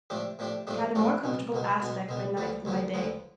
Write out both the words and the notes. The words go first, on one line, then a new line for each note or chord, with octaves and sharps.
It had a more comfortable aspect by night than by day.
A2 F3 A3 D4 G4
A2 F3 A3 D4 G4
A2 F3 A3 D4 G4
A2 F3 A3 D4 G4
B1 B2 B3
B1 B2 B3
B1 B2 B3
B1 B2 B3
D2 D3 F3 B3
D2 D3 F3 B3
D2 D3 F3 B3